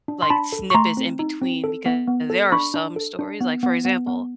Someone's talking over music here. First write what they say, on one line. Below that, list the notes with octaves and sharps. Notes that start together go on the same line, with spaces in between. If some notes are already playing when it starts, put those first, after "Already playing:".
like snippets in between; because there are some stories like, for example,
D4
C6
D4 A5 B5
A4
C#6
A3 A#5 C6
C4
D#4
C4
A4
B3
B3
A4
D4 B5 C#6
D4
A4
D4
B3
B3
B3
B3